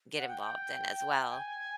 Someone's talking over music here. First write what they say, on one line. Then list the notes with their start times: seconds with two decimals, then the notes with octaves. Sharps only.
get involved in as well.
0.17 F#5
0.28 G5
1.30 G#5